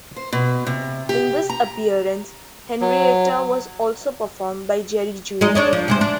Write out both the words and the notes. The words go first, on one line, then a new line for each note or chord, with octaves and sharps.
In this appearance, Henrietta was also performed by Jerry Juhl.
C5
B2
C3
G4
A#5
F#3
G#3 D#4 D#5
D4 C#5 D#5
F3
C3 G#3 C5
D4